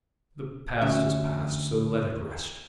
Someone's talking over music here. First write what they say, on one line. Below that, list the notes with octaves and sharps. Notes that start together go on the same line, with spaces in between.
The past is past, so let it rest.
D2 C#4 E5